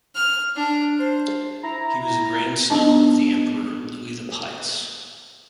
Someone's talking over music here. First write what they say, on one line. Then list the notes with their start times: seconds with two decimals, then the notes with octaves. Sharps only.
He was a grandson of the Emperor Louis the Pious.
0.15 F6
0.56 D4
0.98 C5
1.63 E4 A#5
2.70 B3 D4 D#4 D#5 A5 A#5